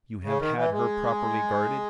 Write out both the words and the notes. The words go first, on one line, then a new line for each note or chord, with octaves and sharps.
"You have had her properly guarded?"
C#3
D#3
E3
G#3